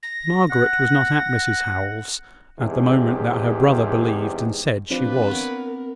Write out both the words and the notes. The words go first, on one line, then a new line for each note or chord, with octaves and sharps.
Margaret was not at Mrs Howell's at the moment that her brother believed and said she was.
A#6
F#5
E2 G#2 C3 G4 G#4
F3 C4 D4 G4 B4
B3 A#4 C#5 D5